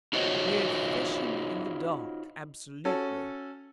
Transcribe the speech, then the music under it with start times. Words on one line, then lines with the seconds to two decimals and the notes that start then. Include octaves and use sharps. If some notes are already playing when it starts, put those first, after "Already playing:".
We're fishing in the dark, absolutely.
0.13 D#4 F4 F#4 C5 C#5 D#5
2.85 C#4 F#4 A4